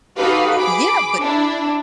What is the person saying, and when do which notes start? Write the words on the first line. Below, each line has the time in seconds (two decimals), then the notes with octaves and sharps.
Yeah, but
0.18 D#4 F#4 G4 A4 B4 F5
0.59 G#4 B5 D6
1.21 D4 E4